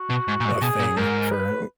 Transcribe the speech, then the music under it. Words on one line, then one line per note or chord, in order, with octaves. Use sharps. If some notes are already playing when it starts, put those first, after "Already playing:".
a thing for
Already playing: F#4
B2
G#2
A#2
G#2
B2 G#4
A#2
G#2 A#4
B4